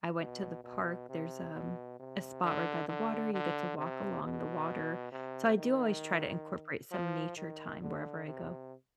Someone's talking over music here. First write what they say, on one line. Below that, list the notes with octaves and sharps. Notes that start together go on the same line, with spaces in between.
I went to the park, there's, um, a spot right by the water, you get to walk along the water. So, I do always try to incorporate some nature time wherever I go.
B2
B2
C3
B2
C3
D3
D3
D3
C3
B2
C3
D#3
F3
D#3
D3
C3